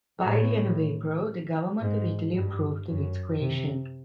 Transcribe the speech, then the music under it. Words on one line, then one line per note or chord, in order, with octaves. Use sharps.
By the end of April, the government of Italy approved of its creation.
A2
G#2
G2
F#2
C3